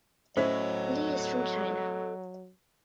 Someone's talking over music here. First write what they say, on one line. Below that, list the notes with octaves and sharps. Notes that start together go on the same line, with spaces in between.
Li is from China.
A2 F#3 C#4 E4 A4 C5 D#5